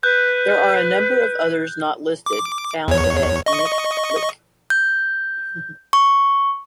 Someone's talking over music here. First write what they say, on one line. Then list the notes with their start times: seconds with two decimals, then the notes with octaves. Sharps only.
There are a number of others not listed, found at nic.lc.
0.03 B4 F#6 G6
2.26 D6
2.88 E2 C#5
3.46 D#5 C#6
4.70 G6
5.93 C#6